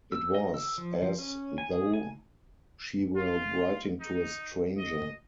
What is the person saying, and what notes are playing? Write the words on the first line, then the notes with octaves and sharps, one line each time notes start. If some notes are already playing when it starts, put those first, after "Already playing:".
It was as though she were writing to a stranger.
E6
D#5
E6
F3
F3
C#4
G#5
G#4
G#5
F4
D#4
D#5